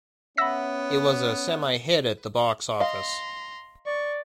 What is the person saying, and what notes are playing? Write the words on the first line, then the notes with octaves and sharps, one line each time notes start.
It was a 'Semi-Hit' at the box office.
B3 C#4 E5 F#5 B5 E6 A#6 B6
D#5 F5 A#5 C6
D5 C#6